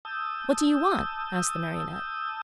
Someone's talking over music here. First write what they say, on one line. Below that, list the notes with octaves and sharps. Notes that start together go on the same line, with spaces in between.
"What do you want?" asked the Marionette.
A5 D#6 E6 G6